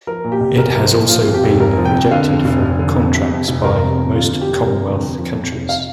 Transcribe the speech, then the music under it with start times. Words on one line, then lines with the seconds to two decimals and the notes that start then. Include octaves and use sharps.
It has also been rejected for contracts by most Commonwealth countries.
0.07 F3 A#4
0.24 A#2
0.32 G4
0.41 C2
0.58 C2 A#4
0.66 G4
0.75 F3 A#4
0.83 C5
0.92 A#2
1.09 F3 F4
1.24 F2 F4
1.34 G4
1.44 F1
1.60 F1 A#4
1.77 F3
1.85 G5
1.94 F2
2.11 D3 F5
2.29 F2
2.45 F1
2.62 F1
2.79 D3
2.97 F2
3.13 C3
3.30 F2
3.48 F1
3.64 F1 A#4
3.82 C3
3.98 F2
4.16 D3 F4
4.33 F2
4.41 G4
4.50 F1
4.67 F1 A#4
4.83 D3
5.01 F2
5.18 F3
5.35 F2
5.52 F1
5.69 F5